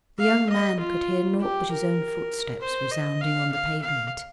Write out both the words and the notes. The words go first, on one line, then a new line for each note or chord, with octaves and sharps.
The young man could hear naught but his own footsteps resounding on the pavement.
F5
D#5
F4
G4
A#4
C5
D#5
F5
F5
F5